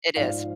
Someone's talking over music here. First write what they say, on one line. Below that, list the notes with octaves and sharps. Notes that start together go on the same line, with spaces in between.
It is.
G#2 F3 D5 F5